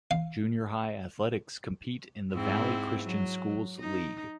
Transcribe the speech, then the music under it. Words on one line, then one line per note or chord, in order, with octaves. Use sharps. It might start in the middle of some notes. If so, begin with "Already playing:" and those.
Junior high athletics compete in the Valley Christian Schools League.
F5
G#2 C4 E4
F#3
D#4